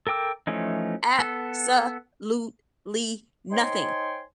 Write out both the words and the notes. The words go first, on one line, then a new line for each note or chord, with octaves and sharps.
Absolutely nothing,
A4 A#4 G5 D6 E6
E3 F3 A3 C#4 D#4
B3 A4
D#4 C5 C#5 G5 G#5 C6